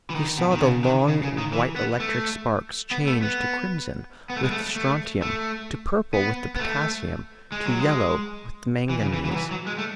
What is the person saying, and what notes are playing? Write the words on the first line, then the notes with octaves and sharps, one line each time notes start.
He saw the long white electric sparks change to crimson with the strontium, to purple with the potassium, to yellow with the manganese.
E3
D#3
B2
D#3
C#3
D#3
C#3
C#3
D#3
E3
B3
A3
B3
A3
B3
B3
A3
G#3
A3
A3
A3
B3
B3
A3
G#3
F#3
G#3
E3
C#3
E3
E3
F#3
E3
F#3
G#3
A3